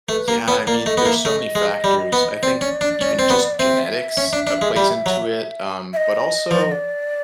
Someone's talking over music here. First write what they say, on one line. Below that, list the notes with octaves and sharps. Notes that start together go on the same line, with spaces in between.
Yeah, I mean, there's so many factors. I think even just genetics, uh, plays into it, um, but also,
A3 B4
A#3
B3 D5
C#5
A#3 D5
A3 D#5
B3
A#3 E5
A3 D#5
G#3
G3
B3
C4 D5
C#4
D4
C#4
C4
B3
C4 E5
C#4
D4
D4
G#3
G3
F#3
E5
D#5
F3 D5
D#5
D5